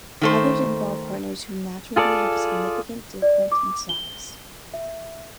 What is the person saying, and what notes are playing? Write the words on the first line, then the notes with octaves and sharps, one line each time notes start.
Others involve partners who naturally have a significant difference in size.
D#3 A3 C5
F4 G#4 A4 D5
D5
D6
G7
E5